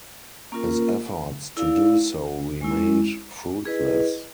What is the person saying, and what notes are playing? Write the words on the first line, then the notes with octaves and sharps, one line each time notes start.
His efforts to do so remained fruitless.
A#3 C#4 F4 A#4
E4 A4 D5 F5
G#3 C#4 E4
E4 G#4 B4 D#5